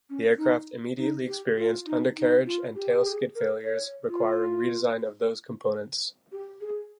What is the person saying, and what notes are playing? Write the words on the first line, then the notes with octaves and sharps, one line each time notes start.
The aircraft immediately experienced undercarriage and tailskid failures, requiring redesign of those components.
C#4
D#4
D#4
G4
F4
D#4
D#4
F4
G4
G4
G#4
A#4
C#5
F4
G4
G#4